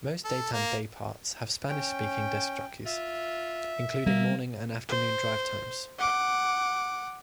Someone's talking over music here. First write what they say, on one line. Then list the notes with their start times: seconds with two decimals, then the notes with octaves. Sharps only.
Most daytime dayparts have Spanish-speaking disc jockeys, including morning and afternoon drive times.
0.25 A4
0.53 A#3
1.70 C#4 G5
2.86 F4 E5
4.06 G3 A#3 B3
4.89 C5
5.99 F#5 D6